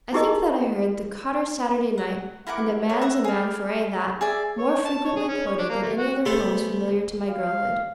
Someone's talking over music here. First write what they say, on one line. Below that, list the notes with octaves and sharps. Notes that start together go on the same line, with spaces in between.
I think that I heard the "Cotter's Saturday Night" and "A man's a man for a' that" more frequently quoted than any other poems familiar to my girlhood.
D#4 E4 G4 G#4 A#4 D#5
F#5
E4 A#4 F#5 D6
C#5
E5 F#5 A#5
G#4 A#4
G#4 D5 E5
C#5
A5
C#5
G#4
C#4
C#5
D4
A#3
A3
F#4
C#3 A3 B3 A4 C5
F5